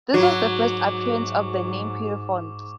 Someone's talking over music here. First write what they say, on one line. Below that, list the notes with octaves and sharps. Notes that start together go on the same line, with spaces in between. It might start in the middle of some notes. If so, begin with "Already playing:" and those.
This was the first appearance of the name Pierrefonds.
G#2 F#3 F#4 C#6 D6